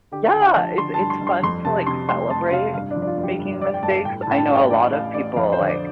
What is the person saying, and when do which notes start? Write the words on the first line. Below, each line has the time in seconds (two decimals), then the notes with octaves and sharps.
Yeah, it's it's fun to, like, celebrate making mistakes, I know a lot of people, like,
0.12 D3 G4
0.34 D3 G5
0.56 F3 A5
0.77 D3 C6
0.94 A5
0.99 G2
1.10 C6
1.21 G2
1.27 C6
1.43 F2 C6
1.65 C3 A5
1.87 C3 C6
2.08 F1 C6
2.30 F1 A5
2.52 C3 F5
2.74 G2 F5
2.91 D4
2.96 F3
3.02 D4
3.07 F4
3.17 G1
3.23 G4
3.39 G2
3.61 G2 D5
3.74 G5
3.83 G1 A5
4.05 A2 G5
4.22 A5
4.27 A2 G5
4.37 A5
4.49 G3
4.55 G5
4.70 A1 D5
4.92 A1 F5
5.14 A1 D5
5.36 F2 F5
5.53 C5
5.58 D3
5.69 D5